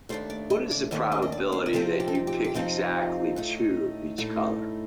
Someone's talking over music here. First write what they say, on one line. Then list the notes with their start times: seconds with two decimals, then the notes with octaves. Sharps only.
What is the probability that you pick exactly two of each color?
0.09 D#2 D#3 A3 D4 C5
0.30 D5
0.50 D#5
0.71 D5
0.91 D#2 D#3 A3 D4 D#5
1.12 D#5
1.22 D#5
1.32 D5
1.52 C5
1.66 A#4
1.73 F2 C3 F3 C4 D#4 A4
2.00 G4
2.08 A4
2.15 G4
2.27 G4
2.45 G4
2.55 F2 C3 F3 C4 D#4 F4
3.36 A2 A3 D#4
4.18 A2 A3 D#4